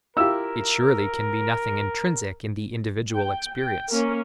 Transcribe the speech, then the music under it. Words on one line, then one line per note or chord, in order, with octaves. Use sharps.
It surely can be nothing intrinsic in the individual experience.
E4 F4 G4 A#4 E6
G5
G5
A#3 C#4 A#4